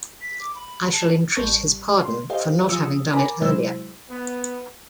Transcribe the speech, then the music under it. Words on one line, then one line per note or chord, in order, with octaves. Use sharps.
I shall entreat his pardon for not having done it earlier.
B6
D6
B5
A5
A1 G3 A#4 A5 C#6
C6
G4 A4 C5 D#5 F5 G5
F3 F4 G#4 D#6 E6 C#7
A#4 G#5 A#5 B5 D6
C3 F#3 G#3 E4 C5 E6
B3